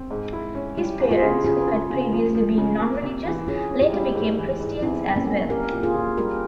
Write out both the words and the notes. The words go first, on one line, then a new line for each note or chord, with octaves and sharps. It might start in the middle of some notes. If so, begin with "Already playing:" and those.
His parents, who had previously been non-religious, later became Christians as well.
Already playing: C4
G#2
E4
C#4
G3 E4 G4
E2
F4 G#4
C#3
C#3 F4 G#4
C#3
C#3
F3
F3
C#3
A#3
C3
E3
C#4 F4 G#4
C#4
E4 G4
G3
G#2
E3
G#2
E2 C4 E4
E2
A#3 C#4
E2
A#3 G4 A#4
A#2
F4 G#4
A#2
G3 G4 A#4